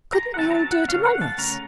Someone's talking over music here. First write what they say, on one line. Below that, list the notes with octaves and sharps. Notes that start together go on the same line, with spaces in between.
"Couldn't we all do it among us?"
A#5
F#5
D#3 F#3 A3 C4 A5
A#5
A5
F#5
C#3 A3 C#4 F5
F#5
A5
C#3 A3 C#4 A#5